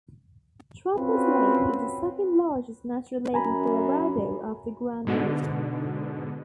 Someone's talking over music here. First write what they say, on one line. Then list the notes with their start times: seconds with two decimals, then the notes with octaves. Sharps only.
Trappers Lake is the second-largest natural lake in Colorado after Grand Lake.
0.97 C4 C#4 F4 F#4 B4
3.34 F#2 G#5 A#5 B5
5.07 G#2 B2 D3